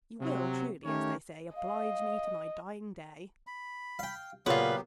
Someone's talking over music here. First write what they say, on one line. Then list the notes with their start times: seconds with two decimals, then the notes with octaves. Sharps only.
You will truly, as they say, oblige me to my dying day.
0.21 C3 F#3
0.85 D#3 A3 C#4 G4 A#4 C#5
1.56 D#5 F5
3.47 B5
3.99 F5 G5
4.46 A#2 C#3 F#3 B3 F4 G4 B4